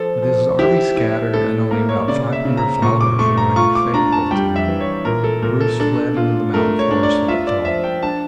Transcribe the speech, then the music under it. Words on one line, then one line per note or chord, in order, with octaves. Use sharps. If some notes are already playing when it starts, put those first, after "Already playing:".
With his army scattered and only about five hundred followers remaining faithful to him, Bruce fled into the mountain forests of Athole.
Already playing: F3 A4
F3
E4 G4
E4
A2 A4
A#3 A#4
C#5
C#3 D5
E5
C#3
A#5
A#2 C#6
D6
A3 C#6
A#5
F4 C#6
D6
D4 A#5
A5
G3 G5
E5
E3
C#5
A#2 A#4
A4
A#2 A#4
A4
D4 A4
F4
A3 A#4
C#5
D4
D5
F4 E5
D5
F3 E5
G5
D4 A5